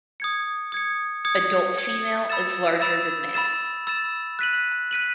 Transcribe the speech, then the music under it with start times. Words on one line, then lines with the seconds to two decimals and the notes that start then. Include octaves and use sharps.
Adult female is larger than male.
0.20 D#6 G#6 C#7
0.72 D#6 G#6 C#7
1.25 D#6 G#6 C#7
1.77 D#6 G#6 C#7
2.29 B5 E6 A6 E7
2.81 B5 E6 A6 E7
3.34 B5 E6 A6 E7
3.87 B5 E6 A6 E7
4.39 F#6 B6 D#7 F#7
4.91 F#6 B6 D#7 F#7